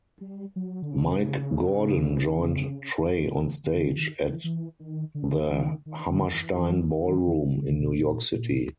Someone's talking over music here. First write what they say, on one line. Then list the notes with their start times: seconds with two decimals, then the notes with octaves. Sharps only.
Mike Gordon joined Trey onstage at the Hammerstein Ballroom in New York City.
0.21 G3
0.56 F#3
0.82 D3
0.91 C#3
3.64 D#3
3.74 D3
3.97 D#3
4.21 E3
4.44 E3
4.80 D#3
5.15 D3
5.50 D#3
5.86 D#3
6.09 D3
6.33 E3
6.56 E3
6.91 D#3
7.27 D#3
7.45 D3
7.62 C#3
7.80 B2
7.97 A#2
8.33 A#2